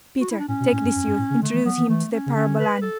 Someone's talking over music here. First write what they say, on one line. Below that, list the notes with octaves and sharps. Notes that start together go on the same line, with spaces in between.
Peter, take this youth, introduce him to the parabolani....
F#4
E4
D4
A2 C#4
B2
A2
G2
F#2
G2
A2
C#3
D3 A3
E3
F#3 B3
E3
E3 A3
C#4
C#3
D3 C#4
B4
A4